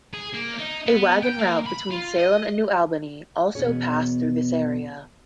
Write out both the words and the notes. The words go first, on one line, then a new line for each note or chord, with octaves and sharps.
A wagon route between Salem and New Albany also passed through this area.
G#4
A#3
D#4
B3
G5
A#3
B5
F4
D#5
E2 B2 B3 C#4 G#4 C#5